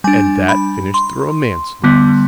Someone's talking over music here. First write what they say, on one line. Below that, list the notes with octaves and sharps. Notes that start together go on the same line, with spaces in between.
"And that finished the romance, Louise."
G3 D4 G#5
B5
C6
D3 G3 B3